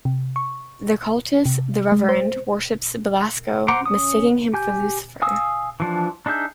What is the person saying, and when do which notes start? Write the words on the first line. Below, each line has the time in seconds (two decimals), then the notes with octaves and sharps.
The cultist "the Reverend" worships Belasco, mistaking him for Lucifer.
0.05 C3
0.36 C#6
1.46 C3
1.92 G#3
2.09 C5
3.68 C5 F#5 A#5 C6 D6
3.86 C#4 D#6
4.54 G4 G#5 G6
5.22 F5 G#5 D#6 E6
5.80 E3 F3 D4
6.26 D4 D#4 G#4 E5 G6